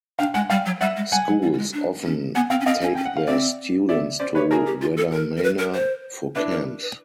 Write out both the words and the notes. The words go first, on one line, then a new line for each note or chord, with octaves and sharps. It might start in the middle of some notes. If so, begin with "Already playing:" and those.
Schools often take their students to Waddamana for camps.
D4 F5 G5
G#3 F#5 G#5
G3 F5 G5
F#3
G3 E5 F#5
G#3
G3 F#5 G#5
F#3
G3
G3
G#3
D4
C#4
B3 F#5 G#5
C4 F5 G5
C#4
C4 D#5 F5
C#4 G#5
C#4 G5
F#5
F5
C4 D5 E5
B3 D5 E5
C#4 C5 D5
G4 B4 C#5
F#4 G#4 A#4
G4
F4
A4
A#4
A#4
B4
A#4
C5
D4 E4 B4
A#4
B4